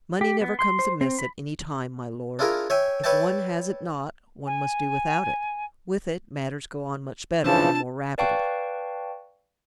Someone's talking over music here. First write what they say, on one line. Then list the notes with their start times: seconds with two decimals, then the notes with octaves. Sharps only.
"Money never comes amiss at any time, my lord; if one has it not, one must do without it; with it, matters go on much better and more rapidly."
0.21 G4
0.41 B3
0.59 C6
0.79 C5
1.01 C4
1.19 B5
2.39 D4 E4 F4 G#4 A#4
2.70 C#5 E5 G5 G#5
3.04 B4 C#5 D5 E5 G5 A5
4.46 G#5
7.44 C#3 E3 F3 D4 F4 A5
8.18 B4 D5 F5 G5 A5 C#6